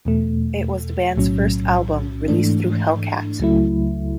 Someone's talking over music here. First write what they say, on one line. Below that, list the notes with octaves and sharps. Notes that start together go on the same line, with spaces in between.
It was the band's first album released through Hellcat.
E2 B2 A3
B1 A2 F#3 C#4
G#2 E3 A3 D4
C#2 C#3 F#3 A3 E4